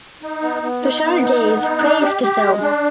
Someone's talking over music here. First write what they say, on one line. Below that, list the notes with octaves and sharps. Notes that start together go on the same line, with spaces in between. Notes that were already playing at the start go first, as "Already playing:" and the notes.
Tushar Dave praised the film.
D#4
B3
B3
D#4
B3
D#4
B3
D#4
D4
G4
G4
G#3
D4